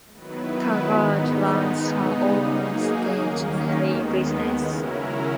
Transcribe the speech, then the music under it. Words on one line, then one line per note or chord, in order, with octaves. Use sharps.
Taggart runs her own stationery business.
D#3 F#3 B3 E4 B4
G#2 D#3 G#3 B3 D#4
C#3 G#3 B3 D#4
F#3 A#3 D#4 G#4
D#2 D#3 A#3 C#4
D#2 D#3 G#3 B3
C#3 F#3 C#4 E4 A#4